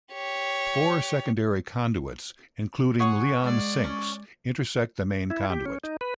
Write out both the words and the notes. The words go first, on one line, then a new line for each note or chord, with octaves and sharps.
Four secondary conduits, including Leon Sinks intersect the main conduit.
G4 C#5
G#4 C#5 F#5
G#3 D5
C#4
E4
G4
C#4
D#4
B4